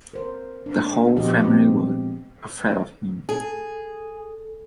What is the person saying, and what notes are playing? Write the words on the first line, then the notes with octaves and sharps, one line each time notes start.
The whole family were afraid of him.
A#4 C5
D4
A#2 F3 B3 F#4 G4 D#5
G#3 C4
G#4 A4